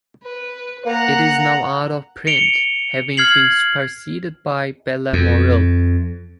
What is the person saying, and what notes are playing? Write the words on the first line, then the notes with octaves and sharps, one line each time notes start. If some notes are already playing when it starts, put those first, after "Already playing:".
It is now out of print, having been superseded by "Belle Moral".
B4
A#3 F#5 A#5
C#7 D7 F7 G7
F6 G#6 C7 F#7
F2